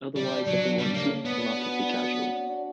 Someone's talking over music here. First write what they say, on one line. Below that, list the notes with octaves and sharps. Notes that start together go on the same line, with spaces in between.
Otherwise every one seems remarkably casual.
G3 D4
D4
F#3 D4
D4
G3 C#5
A#3 C#5
C#5
B3 D4
D4
F#4
D4
C#5
F#4
F#4
D4
D4